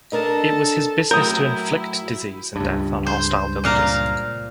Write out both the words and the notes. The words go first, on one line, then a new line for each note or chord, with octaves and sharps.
It was his business to inflict disease and death on hostile villages.
D4 A4 A#4 D#5 A5
A2 F#3 E4 A#4 D#6 G6
C#2 G2
C5
A#2 F5 A#5